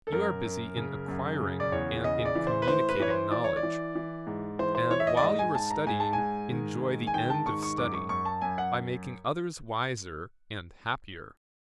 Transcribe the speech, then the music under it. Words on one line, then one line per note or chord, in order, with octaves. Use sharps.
You are busy in acquiring and in communicating knowledge, and while you are studying, enjoy the end of study, by making others wiser and happier.
A4
F#2 A#4
F#2
C#3
F#2
C#3
D5
E2 C#5
C#3 D#5
D5
E3
C5
B4
A2 C5
B4
E3 C#5
C5
E3 D5
C#5
D5
E3
E3
G#2
E3 C5
C5
E3 C#5
E5
D#5
D5
G#2 D#5
G#5
G#2 A5
A#5
G#2 G#5
A5
G#2 G#5
D#3
G#2
G#5
D#3 G5
A5
G#2 C#6
C#6
F#2 D6
C#6
F#2 C#6
A5
F#2 G#5
F#5